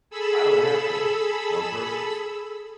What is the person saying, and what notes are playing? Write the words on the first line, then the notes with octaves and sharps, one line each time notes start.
I don't have game, on purpose,
G#4 A4 B5 E6